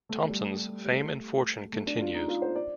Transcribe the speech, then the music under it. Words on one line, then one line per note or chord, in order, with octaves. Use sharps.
Thompson's fame and fortune continues.
A3
A3
G3
G3
A3
A3
D4
F4
D#4
F4
C5
D5